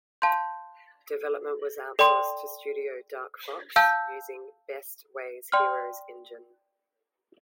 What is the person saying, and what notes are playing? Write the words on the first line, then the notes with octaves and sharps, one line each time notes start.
Development was outsourced to studio Dark Fox, using Best Way's Heroes engine.
F5 A5 C6 G6
A4 D5 G5 C6
F5 A5 E6 G6
D5 G5 C6 F6